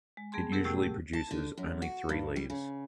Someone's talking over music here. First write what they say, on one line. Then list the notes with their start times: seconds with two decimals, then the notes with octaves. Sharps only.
It usually produces only three leaves.
0.17 G#3
0.32 G3 B3 G#4 A5 C6
0.52 C3 F#3 C#4 G4 G#4 A#4
0.64 A2 C3 A3 G4 G5 E6
0.83 G4
1.13 A5
1.31 D3
1.57 F#2
1.82 F#4
2.09 G2
2.36 G3
2.50 C#3